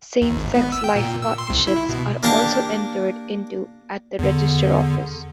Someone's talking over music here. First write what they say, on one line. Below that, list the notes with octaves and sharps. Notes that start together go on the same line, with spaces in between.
Same sex "life partnerships" are also entered into at the register office.
D#2
G#1
B3
E6
G5
A#2
E6
C6
C2
E4
B2
A#3 D4 G4 A#4 A5
E2 D3